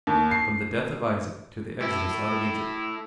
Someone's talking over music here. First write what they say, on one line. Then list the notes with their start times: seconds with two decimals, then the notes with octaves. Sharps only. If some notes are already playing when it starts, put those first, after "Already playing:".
From The Death Of Isaac To The Exodus Out Of Egypt.
0.07 D#2
0.31 C7
1.82 E4 A4